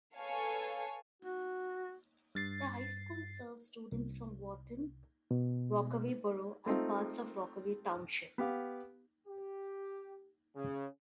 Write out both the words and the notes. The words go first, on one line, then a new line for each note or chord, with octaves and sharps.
The high school serves students from Wharton, Rockaway Borough and parts of Rockaway Township.
A4 B4 C#5 F5 G#5 A5
F#4
G2 A6 C7
C2
B2
A3 C4 D#4 F4
B3 G4 F5
G4
C#3